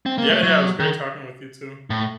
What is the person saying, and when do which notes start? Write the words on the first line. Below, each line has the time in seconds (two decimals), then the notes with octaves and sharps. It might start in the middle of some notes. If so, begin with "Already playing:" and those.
Yeah, yeah. It was great talking with you, too.
0.06 C4
0.18 A#3
0.30 A3
0.43 F#3
0.80 D#3
1.90 A2